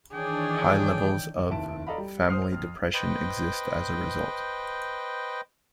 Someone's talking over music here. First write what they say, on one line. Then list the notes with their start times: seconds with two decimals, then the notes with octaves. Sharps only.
High levels of family depression exist as a result.
0.14 D#3 E3 D4 G#4 C#5 D5 G5
1.49 F1 D#2 E4 A5 D7
1.87 A4 D5 D#5 F5 A#5 B5
1.98 G3
2.29 C5 D#6 F6 C7
2.52 F2
2.94 B4 C5 D#5 G5